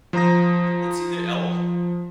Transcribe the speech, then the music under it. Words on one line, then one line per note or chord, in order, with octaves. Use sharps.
It's either Elf
F3 C5 A#5 D#6 A#6